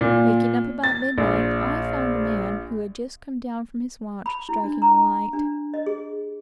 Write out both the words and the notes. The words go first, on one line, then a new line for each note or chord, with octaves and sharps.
Waking up about midnight, I found a man who had just come down from his watch, striking a light.
A#2
A6
A#1
B5
E4
D4
A#5
D4
D#5
G#4